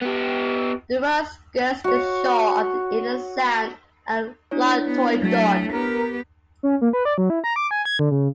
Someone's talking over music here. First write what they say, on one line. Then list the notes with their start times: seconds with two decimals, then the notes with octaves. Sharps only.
The road skirts the shore of the Inner Sound and Loch Torridon.
0.02 B3 G4
1.84 F#4 C#5
4.51 D4 E4 C#5
4.86 B3
5.22 F#3 A3
5.72 B3 G4 A#4
6.63 C#4
6.81 A#3
6.93 B4
7.05 D5
7.18 F#3
7.30 E4
7.44 A#5
7.56 D6
7.71 G#5
7.85 G#6
7.99 D3
8.11 C#3